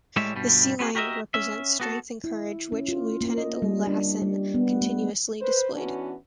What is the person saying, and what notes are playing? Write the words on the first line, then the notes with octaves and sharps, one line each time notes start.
The sea lion represents strength and courage which Lieutenant Lassen continuously displayed.
A2 G3 G#3 C#5 E5
G2 B2 G3
B3 C4 F#4 G#4
F#4 G4 A#4 C5 D#5 E5
C#4 E5
B3 F#4 A4
E4
C#4
F4
A#3
D#5
G3
D4
G3
B3
A3
B4 C5
E3 B3 C#4 D4 F#4